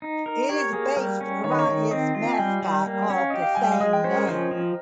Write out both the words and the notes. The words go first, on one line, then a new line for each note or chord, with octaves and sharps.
It is based around its mascot of the same name.
D#4
A#4
G4 C#5
A#3 G#4
G3 A#4
C#4
D#3 C#5
D#5
C#5
D#3
C4 D#5
F4
G#5
G3 G5
G3
A#3
G5
C#4
F5
G4 D#5
F5
G3 G#5
G5
F5
G#3 D#5
G5
C#4 C5
A#4
F3 C5
F3